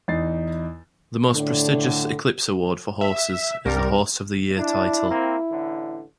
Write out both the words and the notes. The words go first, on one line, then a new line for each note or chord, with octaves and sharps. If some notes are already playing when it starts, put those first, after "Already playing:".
The most prestigious Eclipse Award for horses is the Horse of the Year title.
E2 D#4 A6 C7
A2 D3
E5
C2 G3 A#4
D4 E4
A#3 C4
A1 D3